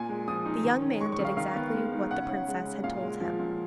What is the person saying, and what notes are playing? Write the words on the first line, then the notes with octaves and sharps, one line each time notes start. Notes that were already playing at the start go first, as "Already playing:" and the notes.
The young man did exactly what the princess had told him.
Already playing: A#2 G#5
G#3
F3 D#6
D#4
D#3
C#4
G#3 C#6
C#6
D#3
F5
D#3 F5
B3
G#3
D#4
C#3 F#5
C#4
G#3
C#3
A#2 F5
G#3
F3
A#2